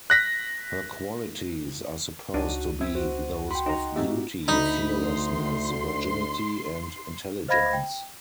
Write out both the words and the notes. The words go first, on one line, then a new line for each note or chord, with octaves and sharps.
Her qualities are supposed to be those of beauty, fearlessness, virginity, and intelligence.
F#6 A#6 B6
C#2 D4 D#4 F#4 C#5 D#7
C4 E5 G#6
F#4 C5
G5 B5 C6
D#4 D#5 A#5
G#2 A3 C4 D#4 G4 E5
D2 D#4 B5
C6 C7
C5 D#5 F5 B5 G#6 A#6
G5